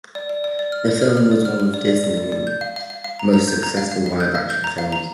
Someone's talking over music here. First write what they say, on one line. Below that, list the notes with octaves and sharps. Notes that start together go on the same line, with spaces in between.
The film was one of Disney's most successful live-action films.
D5
D5
D5
D5
F6
D5
F6
F6
D5
F6
F6
D5
D5
D5
D5
D5
G6
F5
F5
F5
F5
A#5
A#5
G6
A#5
F5
F5
F5
G6
F5
G6
A#5
F5
A#5